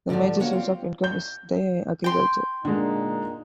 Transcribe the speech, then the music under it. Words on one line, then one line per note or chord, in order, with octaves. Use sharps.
The major source of income is the agriculture.
G#2 D3 E3 F3 G3
F#2 A#3 F#4 C#5 F#5
G3 C4 F4
G6
G5 C6
A#2 D3 G#3 D#4